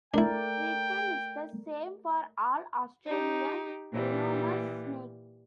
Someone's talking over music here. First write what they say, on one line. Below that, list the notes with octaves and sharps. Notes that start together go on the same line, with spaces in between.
Treatment is the same for all Australian venomous snakes.
A3 D4 E4 A#4 D5 G5
D#4 G4
A#2 E3 G3